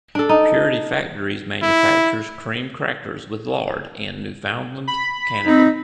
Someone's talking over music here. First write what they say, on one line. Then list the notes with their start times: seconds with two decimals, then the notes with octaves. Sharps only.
Purity Factories manufactures cream crackers with lard in Newfoundland, Canada.
0.15 D4 A4
0.29 D#4
1.63 E4
4.88 B5
5.46 C4 D#4